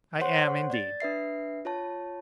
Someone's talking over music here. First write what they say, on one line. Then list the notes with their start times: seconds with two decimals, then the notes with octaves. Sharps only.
I am, indeed.
0.20 C5 C#5 F#5 C6
0.70 D5 A6
1.00 D4 B4 E5 C7
1.65 F4 C#5 A5